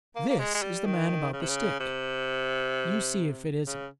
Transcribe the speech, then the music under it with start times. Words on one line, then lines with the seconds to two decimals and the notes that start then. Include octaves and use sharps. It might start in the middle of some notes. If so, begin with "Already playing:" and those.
"This is the man about the stick--you see if it isn't."
0.15 A#3
0.29 A#3
0.39 G#3
0.54 G#3
0.62 G3
0.86 D#3
1.33 C#3
1.41 C3
1.49 C#3
1.80 C3
3.66 C#3